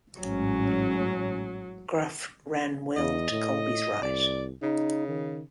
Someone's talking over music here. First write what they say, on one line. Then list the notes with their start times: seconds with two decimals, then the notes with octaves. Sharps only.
Graf ran well to Kolbe's right.
0.20 A1 G#2 F#3 C#4
2.96 E2 D#5
3.31 A2
4.03 C2 D5
4.63 C#3 D#4
5.08 D#3